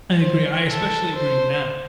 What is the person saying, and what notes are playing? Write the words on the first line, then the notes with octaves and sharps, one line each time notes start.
I agree. I especially agree now.
C5
A4
C5